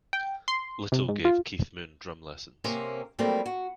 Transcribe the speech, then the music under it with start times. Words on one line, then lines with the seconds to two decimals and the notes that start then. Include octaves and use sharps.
Little gave Keith Moon drum lessons.
0.13 G5
0.48 C6
0.92 C3
1.08 G#2
1.25 F4
2.64 C3 A#3 C4 C#4
3.19 F#3 G3 A3 A#3 C4 E4
3.46 F#4